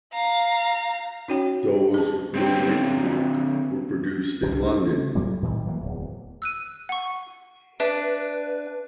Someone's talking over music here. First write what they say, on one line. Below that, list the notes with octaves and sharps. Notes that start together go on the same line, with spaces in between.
Those with no mint mark were produced in London.
F5 A#5
C#4 D#4 F#4 C#5 G5
G#4 A5
D3 C4 C#5 G5
C2 D3
A3
F2 F#3 G3 A#3
A2 D#3 F#3 G3
E3 F#3 A#3
D1 E2
E6 F#6 D#7
F#5 C#6
D4 B4 E5